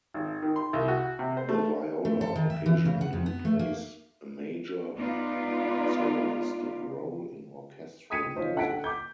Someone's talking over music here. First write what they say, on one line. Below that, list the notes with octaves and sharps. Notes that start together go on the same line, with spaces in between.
The viola occasionally plays a major, soloistic role in orchestral music.
G#1
D#3
C6
C2
F#4
C3
C5
A3
A3
A4
D#3
E5
E3
C#3
F#5
F2
B3
A3
A#3
G#3 B3 D#4 F4 B4 D5
G5 D#6 G#6 B6 C#7 D#7
D#4 F4 C5 C#5 D#5
D3 A4 F#5 G5 B6 D7
D6 G6